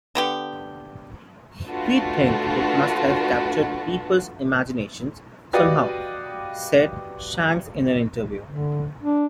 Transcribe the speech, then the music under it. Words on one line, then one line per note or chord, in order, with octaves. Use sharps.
"We think it must have captured people's imaginations somehow", said Shanks in an interview.
D3 B3 G4
A3 D4 F4 F#4 B4 A5
F#4 G4 B4 D5 D#5 F5
D3
D4